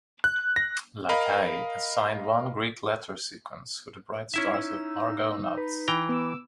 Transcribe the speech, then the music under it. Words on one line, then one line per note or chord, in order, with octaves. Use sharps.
Lacaille assigned one Greek letter sequence for the bright stars of Argo Navis.
F#6
A#6
A#4 D#5 F5 B5
C#4 D#4 E4 E5
E6
B4
E3 G5 A#5
B3 D6 E6